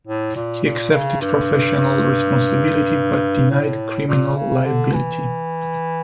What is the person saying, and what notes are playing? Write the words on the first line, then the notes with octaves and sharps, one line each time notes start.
He accepted professional responsibility but denied criminal liability.
A2
A#2
A#2
C#3
G2
A2
A#2
C#3
D3
E3